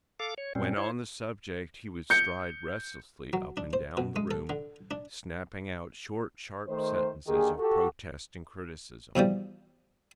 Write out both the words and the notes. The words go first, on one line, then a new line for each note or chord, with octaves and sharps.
When on the subject he would stride restlessly up and down the room, snapping out short, sharp sentences of protest and criticism.
A4 F5 D6
C#5
A#2 G3 C4 C#4
E4 C5 C#5
G6 C#7
F#3
D4
C5
B2
G#3
A4
D3
D4
D#3 A3 C5
D3 D#3 A#3 G4 G#4
F#4 G4 A4
B2 E3 F3 G3